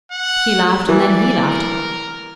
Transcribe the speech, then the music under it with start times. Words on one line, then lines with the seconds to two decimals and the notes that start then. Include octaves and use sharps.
She laughed and then he laughed.
0.12 F#5
0.89 E3 D5
1.47 A#4